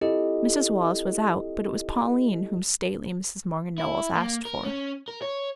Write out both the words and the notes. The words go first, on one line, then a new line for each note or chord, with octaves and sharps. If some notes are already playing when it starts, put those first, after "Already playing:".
Mrs. Wallace was out, but it was Pauline whom stately Mrs. Morgan Knowles asked for.
C4 E4 F4 G4 A4 D#5
E4
A#3
A#4
C#4
A#4
C#5